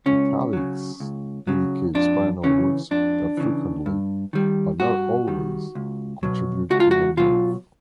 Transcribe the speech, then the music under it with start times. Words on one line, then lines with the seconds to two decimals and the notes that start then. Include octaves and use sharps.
"Italics" indicate spinal roots that frequently, but not always, contribute to the nerve.
0.06 C#2 C#4
0.53 C#3 F#3
1.00 C#2
1.47 C#3 F#3
1.95 F2 D4
2.43 C#3 E3 C#4
2.91 F2 D4
3.37 C#3 E3
3.86 G2
4.33 D#3 G3
4.80 G2 F#4
5.28 D#3 G3
5.75 C#2
6.23 B2 F#3
6.70 C#2 F#4
6.80 F4
6.91 F#4
7.17 B2 F#3 F4